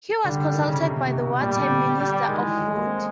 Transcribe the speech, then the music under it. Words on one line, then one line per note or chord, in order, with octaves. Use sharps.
He was consulted by the war time Minister of Food.
D3 G3
D3
D#3
C#3
C3
B2
C3
B2
B2
A#2 G3
B2
D3
G3
D#3 G#3
E3
F#3
A3
A#3
C4